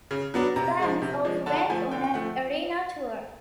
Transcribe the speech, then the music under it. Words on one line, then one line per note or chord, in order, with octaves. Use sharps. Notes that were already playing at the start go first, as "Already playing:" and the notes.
The bands also went on an arena tour.
C#3
F#3 B3 D4
C3 A#5
F3 G#3
C3
F3 G#3
D3 A5
A5
F3 A3 G#5
D3 G5
G5
F3 A3 F#5